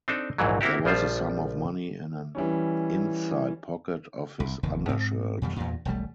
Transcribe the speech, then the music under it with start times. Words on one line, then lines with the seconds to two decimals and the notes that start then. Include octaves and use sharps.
There was a sum of money in an inside pocket of his undershirt.
0.08 C4 D4 D#4 A4
0.38 A#1 D#2 G#2 E3 F#3
0.61 A#3 C4 E4 F#4 G4
0.85 A#1 F3 G3 F4 C5
2.35 E3 G3 C#4
4.40 C2
4.63 F1 D#2 D#3
4.88 G#2 C4
5.42 F2 B2 D#3 G3
5.56 E2 G2 A#2
5.85 E1 B1 G3 A3